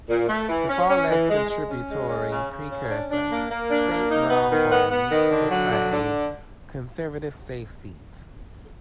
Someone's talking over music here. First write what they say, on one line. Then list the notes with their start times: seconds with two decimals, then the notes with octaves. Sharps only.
The far less contributory precursor, Saint Marylebone, was a Conservative safe seat.
0.09 A#2
0.29 A3
0.48 E3
0.68 C#4
0.88 C#4
1.09 E3
1.29 G#3
1.49 G#3
1.69 C#4
1.89 G#3
2.09 C#4
2.30 C#3
2.49 C#3
2.70 C#4
2.90 D4
3.10 D4
3.29 A#3
3.49 A#3
3.70 D4
3.90 A#3
4.10 D#4
4.30 B3
4.50 D#3
4.70 B3
4.91 B3
5.10 D#3
5.31 D3
5.51 F#3
5.71 D3
5.91 D3